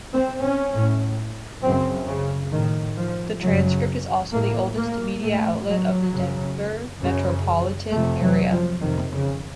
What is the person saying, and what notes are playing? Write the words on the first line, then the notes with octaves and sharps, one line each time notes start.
The "Transcript" is also the oldest media outlet of the Denver metropolitan area.
C4
C#4
A2
F#2 C#3 C4
C#3
A2 D#3
F3
F#2 C#3 F#3
A2 A#3
A#3
A2 A3
F#3
F#2 C#3
F#2 C#3
F2 C3 A3
F#3
F3
F2 C3 D#3
C#3